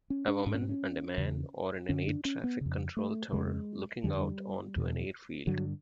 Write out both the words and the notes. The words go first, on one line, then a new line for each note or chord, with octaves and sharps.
A woman and a man are in an airtraffic control tower looking out onto an airfield.
C#4
D4
G#2 D4
C#4
C4
C#4
E2 C#3
F#2 D3 C#4
D4
C#4
B3
F2 C#3
A3
F2 C#3 G#3
F2 D3 G3
E2 B2
G2 D3 F#3